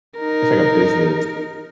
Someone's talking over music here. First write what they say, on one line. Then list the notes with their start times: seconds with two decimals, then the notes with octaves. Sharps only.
it's, like, a business
0.20 D#4 A#4